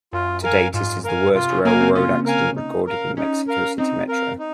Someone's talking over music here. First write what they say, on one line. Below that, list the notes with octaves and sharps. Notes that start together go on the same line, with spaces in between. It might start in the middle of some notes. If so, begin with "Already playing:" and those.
To date, it is the worst railroad accident recorded in the Mexico City Metro.
F#2 F4
A#4 F5 G#5
G#2 F4
A#4 F5 G#5
C3 F4
C#3
A#3 A#4 F5 G#5
C4
C#4 F4
A#4 F5 G#5
D#4
A#4 F5
C#4 D#4
A#4 F5
C4 D#4
A#4 F5
D#4